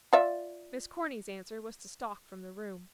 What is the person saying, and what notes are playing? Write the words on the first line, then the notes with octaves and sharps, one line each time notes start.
Miss Corny's answer was to stalk from the room.
F4 D5 E5